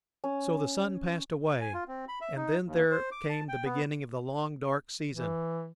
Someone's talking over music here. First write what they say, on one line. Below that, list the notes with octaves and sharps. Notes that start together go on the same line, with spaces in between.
So the sun passed away, and then there came the beginning of the long dark season.
C#4
G#5
F4
C4
B5
E5
D#4
D#2
C5
D6
A5
G5
B3
E3